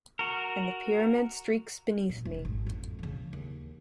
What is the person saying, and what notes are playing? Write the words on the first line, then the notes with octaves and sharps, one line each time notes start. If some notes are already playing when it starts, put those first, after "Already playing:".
And the pyramid streaks beneath me.
F#4 A#4
A#2
E1
G#1
F2 A2
C#3 E3
D#2